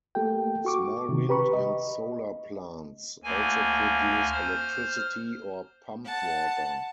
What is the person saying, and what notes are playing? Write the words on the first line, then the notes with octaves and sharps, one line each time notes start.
Small wind and solar plants also produce electricity or pump water.
A3 A#3 G4 A4 G5
F#4 C#6 D6
C3 D#3
G4 B4 A#5 B5 C#6
D#5
D2 A#3 G#5
C5 F6
F#5 A5